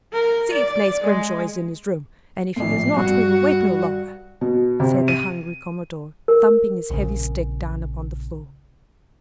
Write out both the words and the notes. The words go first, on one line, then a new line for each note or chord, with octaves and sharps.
"See if Nace Grimshaw is in his room, and if he is not, we will wait no longer!" said the hungry commodore, thumping his heavy stick down upon the floor.
A#4
D5
G#3
A#1 A2 C7
G2 F#4
B2
C3
D#7
A#4
A#1 C#3